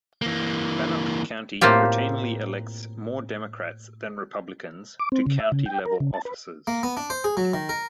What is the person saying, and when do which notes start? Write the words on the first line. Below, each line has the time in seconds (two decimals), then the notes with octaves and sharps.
Bannock County routinely elects more Democrats than Republicans to county-level offices.
0.22 E3 A#3
1.61 A2 A#3 C4 F4 G4
4.99 D6
5.12 C4
5.26 C#3
5.40 E5
5.52 C#3
5.66 G5
5.86 A#4
6.00 C#3
6.14 A5
6.25 B4
6.67 A#3
6.83 B3
6.97 D4
7.10 C5
7.24 G#4
7.37 F#3
7.54 D#3
7.69 A#4